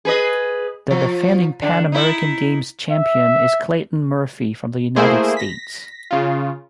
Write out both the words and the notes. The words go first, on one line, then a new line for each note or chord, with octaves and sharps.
The defending Pan American Games champion is Clayton Murphy from the United States.
G#4 B4 D#5
F3
D3 D4
D#4 E4
E5
A3 A#3 E4 G#4 C5
A#6 B6
C#3 F4